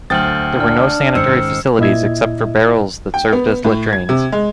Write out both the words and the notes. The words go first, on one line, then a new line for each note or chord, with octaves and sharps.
There were no sanitary facilities except for barrels that served as latrines.
D2 F#3 C5 G5 D#6 F6 A6 F#7
D4 F6
G#2 D#3 C#4 C5 E6 C#7
A#2 E4 D#5 E5 G#6
G5
B3
A2
G#6
C3
G#3